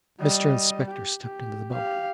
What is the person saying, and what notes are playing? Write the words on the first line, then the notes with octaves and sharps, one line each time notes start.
Mr Inspector stepped into the boat.
G3 D#5
G4
G4
G4 F5